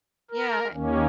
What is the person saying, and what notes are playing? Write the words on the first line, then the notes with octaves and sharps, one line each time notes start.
Yeah, eh
A#4
D#2 D#3 A#3 C#4